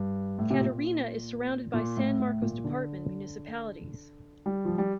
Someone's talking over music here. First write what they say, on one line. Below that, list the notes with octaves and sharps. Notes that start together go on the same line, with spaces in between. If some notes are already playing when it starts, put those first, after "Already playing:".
Catarina is surrounded by San Marcos Department municipalities.
Already playing: G2
A2
C3
A#2
A#2
A2
A2
A#2
D3
G3
F3
G3